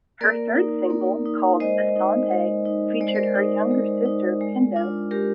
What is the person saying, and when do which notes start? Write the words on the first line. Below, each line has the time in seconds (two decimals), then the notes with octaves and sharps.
Her third single called ‘Asante’ featured her younger sister Pendo.
0.21 A#3 A#4 D5
0.56 D#4
0.90 A#3
1.26 D#4
1.60 G#3 C5 D#5
1.96 D#4
2.31 G#3
2.65 D#4
3.01 G#3 D5
3.08 C5
3.15 A#4 D5
3.35 D#4
3.71 G#3
4.06 D#4
4.41 G#3
4.76 D4 F4
5.11 G#3 G4 A#4